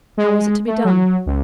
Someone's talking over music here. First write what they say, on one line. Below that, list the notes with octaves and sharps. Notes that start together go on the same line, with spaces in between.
How was it to be done?
G#3
A3
F#3
C#2